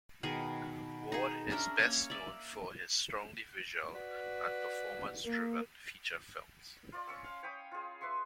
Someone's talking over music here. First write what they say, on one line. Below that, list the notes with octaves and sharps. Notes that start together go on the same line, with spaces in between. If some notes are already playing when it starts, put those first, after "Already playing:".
Ward is best known for his strongly visual and performance driven feature films.
B2 D#3 G#4
D#4 G#4
C#4 D4 A#4 E5
A#3 C#4 C#5
D5 E5
F#4 B4 D5
A#3
F4 D5
C#4 C#6 E6
F5
C#5 G5 B5 D#6
F4 G#4
B4 E5 C6 C#6